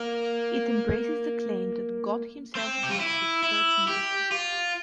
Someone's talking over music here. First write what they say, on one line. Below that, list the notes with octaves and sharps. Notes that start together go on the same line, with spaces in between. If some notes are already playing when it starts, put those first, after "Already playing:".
It embraces the claim that "God himself builds his church in Asia".
Already playing: A#3
C4
G4
F4
E4
E4
G4
F4